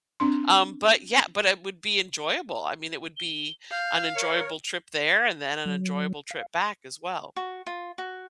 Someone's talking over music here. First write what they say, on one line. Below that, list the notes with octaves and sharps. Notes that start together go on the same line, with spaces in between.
Um, but yeah, but it would be enjoyable. I mean, it would be an enjoyable trip there and then an enjoyable trip back as well.
C4 D4 C6
G7
F5 G6
A#4 C#5 C#7
F#3
F5
F#4
F4
F#4